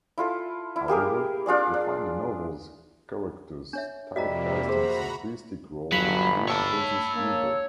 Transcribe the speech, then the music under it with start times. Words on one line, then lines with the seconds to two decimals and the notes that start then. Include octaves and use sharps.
However, they find the novel's characters typecast in simplistic roles of good versus evil.
0.18 E4 F4 A4
0.76 E4
0.88 A#3 G4 G#4 A#4
1.46 D4 F4 G#4 D5
1.74 D4
3.73 D4 C#5 E5
4.16 F2 C3 G3 A#3 F#4 D#5 E5 A#5
4.69 F#4 G#4 C5 A#5 B5
5.92 G1 F#3 F5 B5
6.48 C#5 A5 E6
7.14 A#3